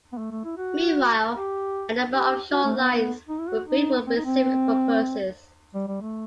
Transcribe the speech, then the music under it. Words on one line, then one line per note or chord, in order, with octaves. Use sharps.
Meanwhile, a number of short lines were built for specific purposes.
B3
A3
A3
E4
F#4
G4
G4
F#4
A3
B3
D#4
E4
F#4
D#4
C4
D#4
C4
G3
G3
A3